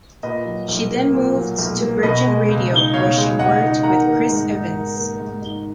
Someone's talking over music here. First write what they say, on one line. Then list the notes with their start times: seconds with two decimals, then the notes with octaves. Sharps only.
She then moved to Virgin Radio where she worked with Chris Evans.
0.23 A#2 B4 D#5
0.45 F#3
0.69 B1
0.91 A#3
1.14 A#2
1.36 F#3
1.59 B1
1.81 A#3
2.03 B2 B4 D#5
2.26 G#3
2.49 C#2
2.72 D#4
2.93 B2 C#5 F5
3.17 G#3
3.39 C#2 D#5 F#5
3.61 D#4
3.83 D#3 F#5 A#5
4.06 A#3
4.29 G#2
4.52 D#4
4.74 D#3
4.96 A#3
5.20 G#2
5.42 D#4